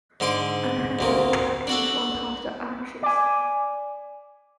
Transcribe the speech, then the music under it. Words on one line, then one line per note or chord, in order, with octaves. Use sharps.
I had to park in front of the arches.
G#2 D3 C6 D6
D2 C3 A#3
D4 F#4 A4
D5 G#5